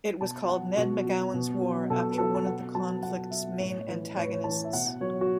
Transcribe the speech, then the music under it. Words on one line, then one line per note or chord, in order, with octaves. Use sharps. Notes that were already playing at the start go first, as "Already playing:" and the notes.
It was called Ned McGowan's War after one of the conflict's main antagonists.
B2 A5
F#3 F#5
B2 F#4
F#3
B2
F#3
B2 A4
B4
F#3 A4
A5
B2 F#5
F#3 A5
B2 F#5
F#3 E5
A2 C#5
E3 B4
A2 C#5
B4
C#5
E3 A5
E5
B2 F#5
F#3 C#5
F#4